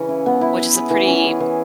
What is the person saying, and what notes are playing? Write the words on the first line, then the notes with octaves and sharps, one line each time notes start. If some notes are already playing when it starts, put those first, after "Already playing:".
which is a pretty
Already playing: C#3 E3 C#4 C#5
E4
B3
E4
B4
G#4
E3
C#4
G#4
E3